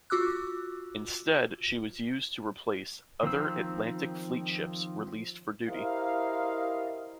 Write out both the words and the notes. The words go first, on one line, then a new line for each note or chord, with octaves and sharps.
Instead, she was used to replace other Atlantic Fleet ships released for duty.
F4 F#4 D6 E6 F#6
D#3 F3 C4 E6
E4 G4 A#4 C5 D#5 F5